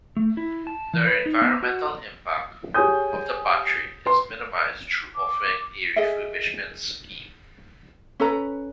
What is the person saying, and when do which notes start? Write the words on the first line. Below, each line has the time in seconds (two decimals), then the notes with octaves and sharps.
The environmental impact of the battery is minimised through offering a refurbishment scheme.
0.17 A3
0.37 E4
0.67 A5
0.94 E3
1.07 B4
1.26 D#4
1.42 B3
1.63 F#4
2.74 G4 G#4 C#5 G#5 D#6 G6
4.06 B4 C6
5.15 D6
5.96 G#4 D#5 E5
8.20 C#4 A4 B4 A#5